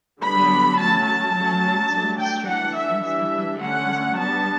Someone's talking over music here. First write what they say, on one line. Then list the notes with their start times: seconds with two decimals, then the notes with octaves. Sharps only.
and my mental stress and stuff like that has all,
0.22 D3 G3 B3 D4 B5
0.79 F#3 A3 C#4 A5
1.07 A5
1.35 F#3 A3 C#4
1.91 F#3 A3 D4
2.20 G5
2.48 E3 A3 D4 F#5
2.76 E5
3.04 E3 G3 D4 E5
3.60 D3 A3 C#4 F#5
4.17 G3 B3 D4 A5